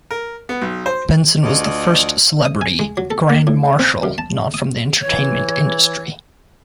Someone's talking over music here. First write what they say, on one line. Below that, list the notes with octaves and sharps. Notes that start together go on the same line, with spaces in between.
Benson was the first celebrity Grand Marshal not from the entertainment industry.
A#4
B3
B1
C5
D2 F4 D5 D#5
D#6
G#5
G#3
F#3
A4
A#3
A2
C4
F#2
A5
D#6
E3 C#5